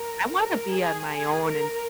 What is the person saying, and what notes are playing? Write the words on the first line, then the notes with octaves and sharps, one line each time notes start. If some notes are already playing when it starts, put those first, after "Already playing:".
I wanna be on my own, and
Already playing: A#4
A#4
G#4
G#4
A#4